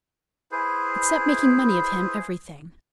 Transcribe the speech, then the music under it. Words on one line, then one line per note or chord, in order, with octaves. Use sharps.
"Except making money of him--everything?"
E4 G#4 B4 C5